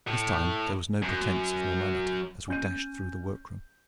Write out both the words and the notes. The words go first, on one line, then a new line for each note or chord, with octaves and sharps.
This time there was no pretense of normality as we dashed through the workroom.
A2
F#2
C#4 G6 D#7